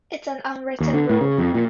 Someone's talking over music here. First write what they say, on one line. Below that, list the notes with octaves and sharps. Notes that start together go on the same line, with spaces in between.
It's an unwritten rule.
D#2
D3
A2
C#3
F2
A#2